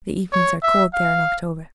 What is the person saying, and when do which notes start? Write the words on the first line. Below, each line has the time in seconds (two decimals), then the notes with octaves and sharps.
The evenings are cold there in October.
0.33 C#5
0.63 E5
0.94 F5